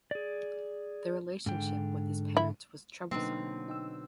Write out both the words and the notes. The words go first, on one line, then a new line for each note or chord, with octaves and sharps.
The relationship with his parents was troublesome.
G#4 D5
G#2 D3 G5
E4
B2 D3 F#3 A#3 C4 D#4
D#4 G5 E6